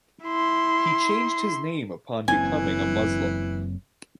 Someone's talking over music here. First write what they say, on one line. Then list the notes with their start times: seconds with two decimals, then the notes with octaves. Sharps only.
He changed his name upon becoming a Muslim.
0.24 E4 C6
2.28 F#1 E3 C4 C#4 G#5